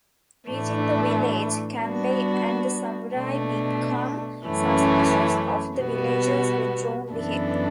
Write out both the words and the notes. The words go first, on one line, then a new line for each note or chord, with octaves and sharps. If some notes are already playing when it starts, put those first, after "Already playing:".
Reaching the village, Kanbei and the samurai become suspicious of the villagers withdrawn behavior.
A2 E3 A3 D4
G3 B3 D4 F#4
B2 A3 D4
F#2 E3 A3 C#4
B2 G3 B3 F#4
F#2 E3 B3 D4 A4